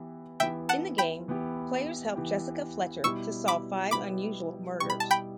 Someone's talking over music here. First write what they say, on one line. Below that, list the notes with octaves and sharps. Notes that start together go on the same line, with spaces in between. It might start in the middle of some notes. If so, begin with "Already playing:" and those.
In the game, players help Jessica Fletcher to solve five unusual murders.
Already playing: E3 B3 E4 G4
E3 B3 E4 G4 E5 G5
F#5 A5
G5 B5
E3 B3 E4 G4
E3 B3 E4 G4
B2 G3 B3 E4 G4 C#6 E6
B5 D6
B2 G3 B3 E4 G4 B5 D6
B2 G3 B3 E4 G4 C#6
B5
A5
G5 B5